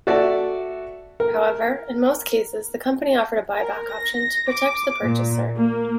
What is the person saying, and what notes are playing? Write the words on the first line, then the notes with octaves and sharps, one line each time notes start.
However, in most cases the company offered a buy-back option to protect the purchaser.
F#4 A4 D5 E5 A5
A#4
A#4
A#6
D6
A#2
A#3